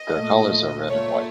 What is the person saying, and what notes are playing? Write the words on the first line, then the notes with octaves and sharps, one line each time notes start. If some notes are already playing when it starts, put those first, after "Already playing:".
Their colors are red and white.
Already playing: D#5
A#2 A3
A#2 A3 C#5